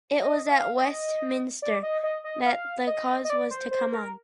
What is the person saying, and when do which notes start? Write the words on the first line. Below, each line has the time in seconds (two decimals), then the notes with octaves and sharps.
It was at Westminster that the cause was to come on.
0.22 D#5
0.50 F5
0.78 D#5
1.62 D5
1.83 D#5
2.03 D#5
2.24 D#5
2.46 F5
2.87 D#5
3.25 D#5
3.30 D5
3.51 C5
3.71 C5
3.92 A#4